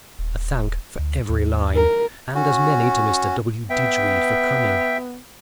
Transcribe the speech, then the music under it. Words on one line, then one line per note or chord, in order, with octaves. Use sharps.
A thank for every line, and as many to Mr. W. Digweed for coming.
D#1
D2
D#2
A#4
C#4 F#4
B3 E5 G5